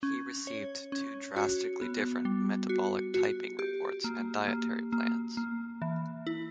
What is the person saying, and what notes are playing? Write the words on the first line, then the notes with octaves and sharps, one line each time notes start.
He received two drastically different "metabolic typing" reports and dietary plans.
C#4
C#5
C#4
F#4
B3
G3
F#4
F#4
G4
A#3
A#3
A#3
A#3
E3
E4